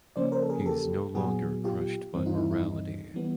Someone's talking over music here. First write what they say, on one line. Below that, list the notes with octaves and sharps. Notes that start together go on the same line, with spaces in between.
He’s no longer crushed by morality.
C#3 F3 A#3 C#4 C5 D5
A#4 C5
A4
G#4 A#4
G4 A4
A#2 F#3 B3 F#4 G#4
F4 G4
G2 E3 G3 C4
D#4 F4
E4
E4
D#4
E3 G3 B3